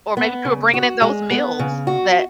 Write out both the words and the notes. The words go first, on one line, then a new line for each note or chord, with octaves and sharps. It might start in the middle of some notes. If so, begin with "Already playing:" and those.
Or maybe if you were bringing in those meals that
B3
C#3
F#4
G#3
B3
C#3
F#4